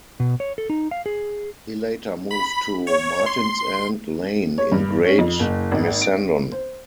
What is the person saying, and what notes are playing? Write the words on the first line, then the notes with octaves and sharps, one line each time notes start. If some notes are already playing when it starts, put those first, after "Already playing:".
He later moved to Martinsend Lane in Great Missenden.
B2
C#5
A4
D#4
F5
G#4
B5
C#5
C6
C#5
G2
C#4
F2
F#1
G#1
D7
C5